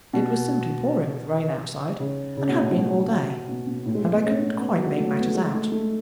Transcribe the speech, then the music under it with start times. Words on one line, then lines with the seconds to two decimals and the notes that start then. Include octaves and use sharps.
It was simply pouring with rain outside, and had been all day; and I couldn't quite make matters out.
0.13 B2
2.00 C#3
2.37 C#3
2.49 B2
2.59 A2
2.71 B2
3.49 B2
3.67 B2
3.85 A2
3.95 G#3
4.04 A3
4.14 B3
4.24 C#4
4.56 C#4
4.60 B3
4.77 F#3
4.87 G#3
4.98 A3
5.20 B3
5.28 A3
5.35 G#3
5.54 A3
5.72 A3